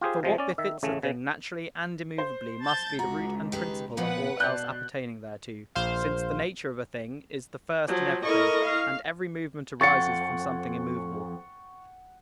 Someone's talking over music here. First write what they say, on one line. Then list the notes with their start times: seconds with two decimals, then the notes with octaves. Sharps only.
For what befits a thing naturally and immovably must be the root and principle of all else appertaining thereto, since the nature of a thing is the first in everything, and every movement arises from something immovable.
0.01 F4 G4 G#4 C5
0.23 C3 F3 G#3
0.38 C#4 D5
0.58 D#3 E5
0.83 A1 C#3 A3
1.03 C#3
2.18 C5
2.63 A5 G6 A6
2.99 C#2 F#4 A#5
3.52 D#3 G4 B4
3.97 A#2 F3 B3 B4 F#5
4.40 B2 D5 A5 F#6 G6
5.75 A#1 C5 F5
7.88 F3 F#3
8.25 E4 A4 A#4 D#5 C#6
8.65 F5
9.81 F2 F#5 G5 C#6 A6 C#7